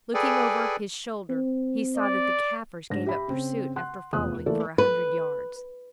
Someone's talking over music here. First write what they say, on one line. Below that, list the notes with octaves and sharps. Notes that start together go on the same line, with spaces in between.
Looking over his shoulder he saw that the Kaffirs gave up pursuit after following for a hundred yards.
G#4 A4 B4 D5 G5 G#5
C4
D5
G#2 D4 A#6
G4 E5 B5
C#3 C4
F#5 C6 F#6
F1 E2 F4 D#6 F#6
E3 A3 A#3 A4 D5
B4